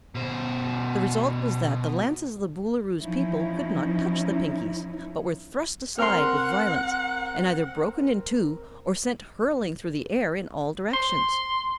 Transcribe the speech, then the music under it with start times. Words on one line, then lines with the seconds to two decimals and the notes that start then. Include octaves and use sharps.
The result was that the lances of the Boolooroo's people could not touch the Pinkies, but were thrust aside with violence and either broken in two or sent hurling through the air in all directions.
0.15 B2 C5
2.99 E3 F3 C#4 D#4 E4
5.98 C4 A#4 F#5 C6 F6
10.94 C6